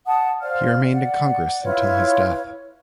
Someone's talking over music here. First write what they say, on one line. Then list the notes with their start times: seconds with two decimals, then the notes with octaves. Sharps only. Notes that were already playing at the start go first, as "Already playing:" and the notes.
He remained in Congress until his death.
0.06 F#5 A5 D#6
0.41 C5 D5 F5 F6
0.92 D5 F#5
1.63 E4 F4 B4 C#5